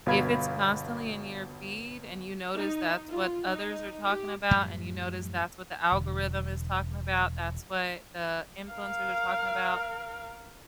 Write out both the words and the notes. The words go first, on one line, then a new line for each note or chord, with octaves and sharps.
if it's constantly in your feed and you notice that's what others are talking about and you notice that's what the algorithm is talking about, that's what the influencers are talking about,
G1 B2 B4 F5 B5 G#6
D#4
F4
D#4
G4
F#2 A2 F3 G3
E1 D3
A#4 F5